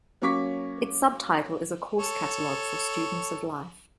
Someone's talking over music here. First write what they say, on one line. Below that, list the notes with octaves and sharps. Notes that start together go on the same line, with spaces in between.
Its subtitle is A Course Catalog for Students of Life.
F#3 A#3 C#4 C#6 D6 B6
A4 C#5